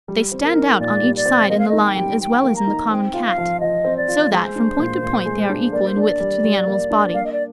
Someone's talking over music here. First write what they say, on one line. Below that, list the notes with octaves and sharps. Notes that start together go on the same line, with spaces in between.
They stand out on each side in the lion, as well as in the common Cat; so that, from point to point, they are equal in width to the animal's body.
G3
C4
A#4
D#4
A#2 D5
G3
D5
C4
A#3 D#5
F5
D#4 D#5
G5
G3
G3 G5
A#3
A#5
D#4
C4 G5
F4
F5
F3
F3 D#5
C4
D5
F4
G#3 C5
D4
A#2
A#2
G#3
D4
A#3 D5
C5
D4 D5
G3
G3
A#3
D4
A#3 F5
D#5
D5